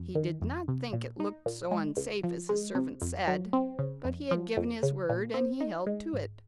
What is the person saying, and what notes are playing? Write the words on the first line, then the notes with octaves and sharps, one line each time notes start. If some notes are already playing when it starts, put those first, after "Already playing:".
He did not think it looked so unsafe as his servant said; but he had given his word and he held to it.
Already playing: F2
D#3
F2
C3
A#2
D#4
A#2
G#3
C#2
F3
G#3
C3
F2
F#3
C4
C#3
F2
F3
F2
C#3
A#2
C4
D#4
G#3
G#1